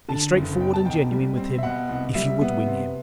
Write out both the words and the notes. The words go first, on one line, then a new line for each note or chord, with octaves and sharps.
Be straightforward and genuine with him if you would win him.
D3 A5
F#1
B2 G5
A5
B1 G5
G3
C4
E5
B2 F#5
C2
G3 E5
B3
C3